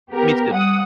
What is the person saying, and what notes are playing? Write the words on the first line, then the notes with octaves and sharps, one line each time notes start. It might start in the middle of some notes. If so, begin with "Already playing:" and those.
Me too.
B3 G4 A#4
G3 F#5 D#6